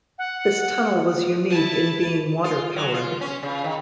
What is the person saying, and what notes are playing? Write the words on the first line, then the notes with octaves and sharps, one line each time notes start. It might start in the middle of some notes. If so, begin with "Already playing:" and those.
This tunnel was unique in being water-powered.
F#5
E4 A5
F4
F#3
F4
C#4
C#3
D#3